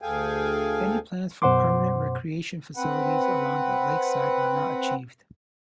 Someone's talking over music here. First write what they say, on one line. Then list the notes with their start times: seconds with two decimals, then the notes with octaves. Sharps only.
Any plans for permanent recreation facilities along the lakeside were not achieved.
0.02 D2 G#4 A4 F5 G5 G#5
1.42 F#2 B2 C5 F#5 C6 D6
2.77 C4 B4 F#5